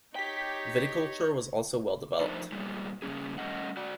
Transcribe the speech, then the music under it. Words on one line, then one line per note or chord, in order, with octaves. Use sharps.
Viticulture was also well-developed.
D#4 G4 C#5 G5 B6
F3 A3 D4 D#4 A#4 C5
A#2 G3 G#3
C#3 G3 A#3 C#4 G#4
G3 A3 C#4 D#5 F#5
F#4 D5